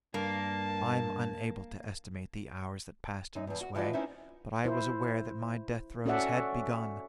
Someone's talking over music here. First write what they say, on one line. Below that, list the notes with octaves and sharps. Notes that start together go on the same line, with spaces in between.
I'm unable to estimate the hours that passed in this way. But I was aware that my death throes had begun.
G2 A#3 A5
F#2 D#4
E2 G2
F#4
E3 F3 F#4 D5 D#5
C#4 D#4 E4 C5 E5
E4 C5
C#4 F#4 A4 D5 E5 F#5